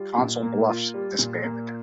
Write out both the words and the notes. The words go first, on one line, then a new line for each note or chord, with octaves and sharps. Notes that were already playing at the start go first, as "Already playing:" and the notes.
Council Bluffs disbanded.
Already playing: G3 F4
A#2
A#3
F4
G3
A#2
A#3